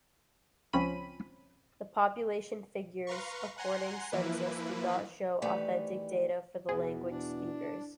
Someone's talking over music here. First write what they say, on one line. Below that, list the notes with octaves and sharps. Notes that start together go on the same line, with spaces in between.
The population figures according census do not show authentic data for the language speakers.
C#2 F3 C4 C#4 B5 D#7
B4 F5 A#5 C6 C#6
F#5 G#5 A#5 C6
E3 F3 A#3 E4 B4
D#3 E3 A3 G4 B4 D5
E2 B2 G#4
D4